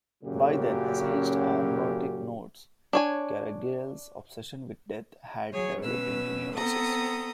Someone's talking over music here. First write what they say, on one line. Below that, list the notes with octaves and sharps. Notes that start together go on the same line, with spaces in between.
By then, essayist Ion Vartic notes, Caragiale's obsession with death had developed into "neurosis".
F#2 A#2 C#3 F#3 C#4 G4
D4 C#5 G#5
F#3 G#4 C#5
B2 C#4 B4 E6
B3 C4 A4 A#5 D#6